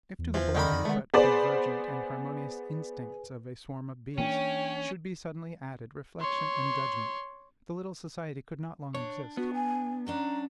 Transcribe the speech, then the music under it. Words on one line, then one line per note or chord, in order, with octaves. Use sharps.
If to the blind but convergent and harmonious instincts of a swarm of bees should be suddenly added reflection and judgment, the little society could not long exist.
E2
E3 F3 C5
D3 D#3 G#3 G4 A#4 B5
F2
G#3 A3 B3
B3 G#4 B4 C5 D5
E3 A#3 C#4 D4 C#5 G5
C#5 C6
D4 C#5
B3 F#4
G#5
F#3 C#4 D4 A#5